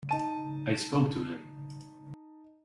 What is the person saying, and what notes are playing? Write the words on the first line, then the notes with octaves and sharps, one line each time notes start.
I spoke to him.
D#4 A5 D#7